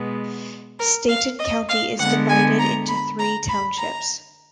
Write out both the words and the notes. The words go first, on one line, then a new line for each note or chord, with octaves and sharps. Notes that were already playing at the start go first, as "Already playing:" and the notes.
Stanton County is divided into three townships.
Already playing: B2 G#3 B3
A#4
F5
D#5
F5
D3 G#3 B3 F#5
G#5
A#5
B5
A#5
B5
A#5